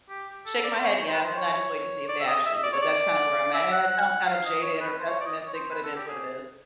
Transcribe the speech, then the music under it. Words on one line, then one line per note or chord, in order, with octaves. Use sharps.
shake my head "Yes," and I just wait to see if they actually do it, that's kinda where I'm at, and that sounds kinda jaded or pessimistic, but it is what it is.
G4
A4
D5
C5
C#5
C#5
C5
B4
C5
C#5
D5
E5
D#5
E5
D#5
D5
C#5
D5
E5
F#5
F5
D#5
C#5
B4
C5
C#5
D5
D#5
C#5
C5
B4
A4
G4
G#4